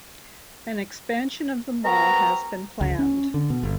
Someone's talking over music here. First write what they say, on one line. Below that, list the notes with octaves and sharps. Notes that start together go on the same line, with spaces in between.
An expansion of the mall has been planned.
B3 C4 F#4 A#4 A#5
C#2
C#4
D3
B2
G1